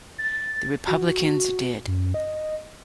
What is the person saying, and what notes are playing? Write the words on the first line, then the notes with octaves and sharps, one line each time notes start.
The Republicans did.
A6
F#4
F#2
D#5